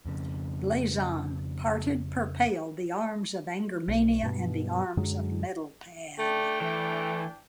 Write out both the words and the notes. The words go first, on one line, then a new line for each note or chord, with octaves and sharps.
Blazon: Parted per pale, the arms of Angermannia and the arms of Medelpad.
F2 C#3
B1
G2 B2
F#2 D3 F#3 G#3
A3 D4 G5
E3 A3